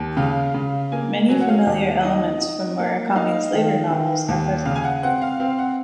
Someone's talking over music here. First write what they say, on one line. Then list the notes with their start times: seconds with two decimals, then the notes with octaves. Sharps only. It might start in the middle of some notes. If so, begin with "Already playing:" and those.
Many familiar elements from Murakami's later novels are present.
Already playing: D#2
0.17 C#3 F5
0.54 C#3
0.92 A#3 G#5
1.29 F#3 G#5
1.41 F#5
1.48 F5
1.66 D#2
2.05 D#4
2.41 D#4
2.79 A#3
3.16 D#4 F5
3.53 D#3
3.90 D#3
4.28 D#2
4.66 C#3 F5
4.75 G#5
4.84 F#5
5.03 C4 F#5
5.22 F5
5.40 C4 F5
5.58 F#5